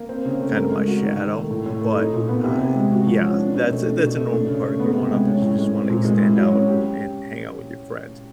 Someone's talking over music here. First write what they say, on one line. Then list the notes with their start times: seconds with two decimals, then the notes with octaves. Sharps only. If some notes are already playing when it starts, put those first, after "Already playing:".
kinda my shadow. But, uh, yeah, that's a that's a normal part of growing up, is you just wanna extend out and and hang out with your friends.
Already playing: A#3
0.09 C4
0.25 C#3
0.40 A3
0.55 A#4
0.72 G#3
0.88 F#4
1.03 D#3
1.18 D#3
1.35 A3
1.51 A2
1.66 A2
1.82 A3
1.97 D#4
2.13 A#2
2.28 B3
2.44 C3
2.60 C3
2.76 G#3
2.91 F#4
3.07 F3
3.22 C#4
3.39 D4
3.54 B2
3.70 A3
3.86 D4
4.01 B2
4.17 A3
4.33 D4
4.48 C#3
4.64 A3
4.79 B3
4.95 C3
5.11 G#3
5.27 C#4
5.42 A2
5.58 G#3
5.74 C4
5.90 A#2
6.05 G#3
6.21 E4
6.36 F#3
6.52 C#4
6.68 G4